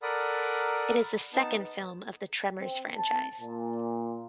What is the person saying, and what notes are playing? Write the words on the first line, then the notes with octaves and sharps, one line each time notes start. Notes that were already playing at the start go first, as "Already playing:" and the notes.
It is the second film of the "Tremors" franchise.
A4 A#4 D5 F#5 B5 D#6
B3 D#4 A5
C4
A5
A#2